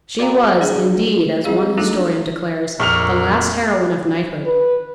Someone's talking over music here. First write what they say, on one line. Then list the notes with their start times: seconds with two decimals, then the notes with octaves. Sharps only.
She was, indeed, as one historian declares, the last heroine of knighthood.
0.19 F#4 D5 F5 G5 A#5
0.61 D4 G#4 D5
1.44 G3 C4 E4 G#4 F5
1.77 G3 A3 D4 D#4 F#4 A4
2.80 A#1 F2 A#4 C#6 F6 F7
4.46 B4